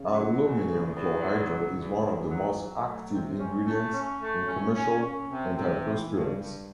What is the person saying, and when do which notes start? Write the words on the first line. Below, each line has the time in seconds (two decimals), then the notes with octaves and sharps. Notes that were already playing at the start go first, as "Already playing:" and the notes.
Aluminium chlorohydrate is one of the most common active ingredients in commercial antiperspirants.
Already playing: C#3
0.13 F#3
0.40 C#3
0.68 E2
0.94 E2
1.22 F#3
1.49 C#3
1.76 E2
2.03 E2
2.30 F#3
2.57 F#3
2.85 A3
3.11 C3
3.39 C#4
3.66 A3
3.93 C#4
4.21 A3
4.47 C#4
4.75 C#4
5.02 C#4
5.29 C3
5.56 C3
5.83 E3
6.11 G2
6.37 G2